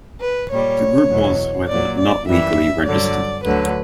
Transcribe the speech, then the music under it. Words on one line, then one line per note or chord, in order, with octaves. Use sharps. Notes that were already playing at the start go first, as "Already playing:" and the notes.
The group was, however, not legally registered.
B4
A#2 G3 C#5
E2 B2 F#3
A#2 F#3 D5
D5
F#2 E3 G3 E5
G2 D3 F#3 D5
D2 D3 F#3 B4